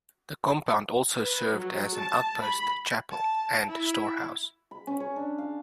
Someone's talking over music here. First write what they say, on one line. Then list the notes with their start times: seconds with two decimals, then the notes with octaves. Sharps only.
The compound also served as an outpost, chapel, and storehouse.
1.16 B4
1.53 F#3
1.95 A5
2.41 B5
3.10 A5
3.67 E4
4.71 B5
4.87 C#4
5.00 C#5
5.16 D4
5.38 F5